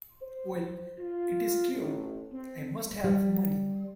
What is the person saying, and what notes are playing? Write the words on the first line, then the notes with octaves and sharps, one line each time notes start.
Well, it is true; I must have money.
C5
F4
A1
C4
G3